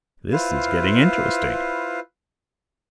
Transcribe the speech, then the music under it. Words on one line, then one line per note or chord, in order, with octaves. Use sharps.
This is getting interesting!
E4 F4 B4 C5 F5